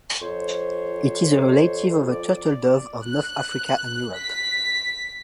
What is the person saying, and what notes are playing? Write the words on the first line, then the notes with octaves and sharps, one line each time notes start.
It is a relative of the turtledove of North Africa and Europe.
F2 C5 C#5
D5
F#6
B6